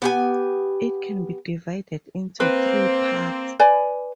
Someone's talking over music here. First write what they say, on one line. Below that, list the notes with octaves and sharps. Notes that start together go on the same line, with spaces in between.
It can be divided into three parts.
B3 G4 G#5
A#3 C4 B4
B4 D5 G#5